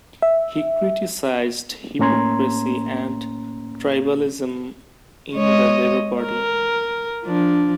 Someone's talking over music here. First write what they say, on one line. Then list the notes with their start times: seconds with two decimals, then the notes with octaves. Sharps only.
He criticised hypocrisy and tribalism in the Labour Party.
0.22 E5
1.99 A2 A#3 C#4 A#5 C6 G#6
5.33 G#3 C#5 D#5
6.22 A#4
7.25 F3 D4